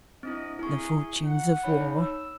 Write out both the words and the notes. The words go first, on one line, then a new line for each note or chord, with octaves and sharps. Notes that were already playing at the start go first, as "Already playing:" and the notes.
"The fortunes of war ..."
C4 D4 E4 D#5
E4 G#4 C#6
F#5
D#4 C#5 B5
E6